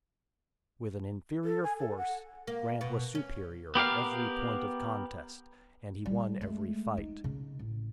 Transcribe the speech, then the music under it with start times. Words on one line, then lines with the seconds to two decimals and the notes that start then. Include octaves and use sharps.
With an inferior force, Grant was superior at every point of contest, and he won every fight.
1.44 A4
1.64 G#5
1.79 A4
1.98 F#5
2.47 A#3
2.81 B2
3.15 C#4
3.75 B3 G4 A#4 F5
6.06 G3
6.41 G#3 A3
6.97 D#4
7.24 C#3
7.59 A1